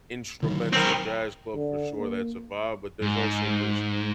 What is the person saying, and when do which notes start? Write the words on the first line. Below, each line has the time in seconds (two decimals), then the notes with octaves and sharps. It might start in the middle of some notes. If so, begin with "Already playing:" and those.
instrumental jazz club, for sure, that's a vibe, but there's also just
0.42 D3 D#3 F#3
0.73 C4 A#4
1.55 D3
1.98 A#3
3.02 G#2